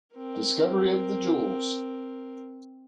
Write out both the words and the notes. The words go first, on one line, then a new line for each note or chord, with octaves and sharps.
Discovery of the jewels!
C4 A#4